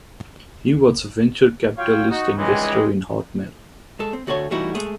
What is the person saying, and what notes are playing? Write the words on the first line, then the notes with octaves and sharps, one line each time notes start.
He was a venture capitalist investor in Hotmail.
F#3 F4 C#5 F5 G5 F6
D#4 F#4
C#2 D#3 E3 G3 G#3
G#3 A4
C4
D2 F#4 A4 B4 C#5
E3 G3 A3 D#4 E4 F#4
G#3 A3 G#4